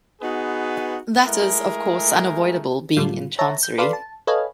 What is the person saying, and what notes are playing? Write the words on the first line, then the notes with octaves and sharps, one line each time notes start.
That is, of course, unavoidable, being in Chancery.
B3 D#4 F#4 G#4 B4
G#3 A3 E4 G#4 A#4
A2 D3 F#3 G3 F4
C#5 E5 A5 A#5 A#6
G6
A4 B4 D5 F5 B5 C6
A5
A4 B4 C#5 D#5 F5 G#5